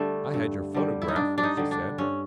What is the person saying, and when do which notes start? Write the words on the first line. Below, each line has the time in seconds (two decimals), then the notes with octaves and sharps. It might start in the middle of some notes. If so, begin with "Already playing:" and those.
"I had your photograph," she said.
Already playing: D3 G3 A3
0.34 G2
0.74 D3 G3
1.02 E4
1.08 D#4
1.16 G2 D4
1.38 D4
1.43 D#4
1.57 D3 G3
1.71 D4
1.98 G2 C#4